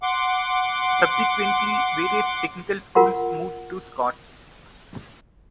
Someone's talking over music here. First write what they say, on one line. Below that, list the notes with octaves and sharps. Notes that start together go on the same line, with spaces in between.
Subsequently, various technical schools moved to Scott.
F#5 C6 D6
F4 A#4 F#5 C6